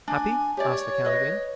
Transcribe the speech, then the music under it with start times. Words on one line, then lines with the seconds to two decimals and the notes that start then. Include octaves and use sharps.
"Happy?" asked the count again.
0.08 D4 G#5
0.57 G4 C#5 D5
1.05 B4 D#5